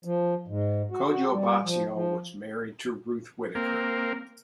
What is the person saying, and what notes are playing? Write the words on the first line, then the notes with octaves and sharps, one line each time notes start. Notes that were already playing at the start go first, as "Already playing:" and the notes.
Kojo Botsio was married to Ruth Whittaker.
F3
G#2
F#4
F#4
G3
F3
F3
A#3 C4 A#4